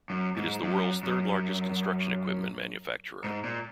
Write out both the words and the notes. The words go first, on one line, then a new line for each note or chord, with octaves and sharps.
It is the world's third-largest construction equipment manufacturer.
F#2
G#2
F#2
F#2
G#2
A#2